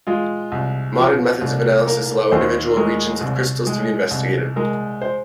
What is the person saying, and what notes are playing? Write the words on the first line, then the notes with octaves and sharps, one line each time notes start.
Modern methods of analysis allow individual regions of crystals to be investigated.
G#3 F4
C2
F3
C2
A#3 A#4
D#2 C5
G#3 A#4
C2
G#3
C2
G#3 A#4
C5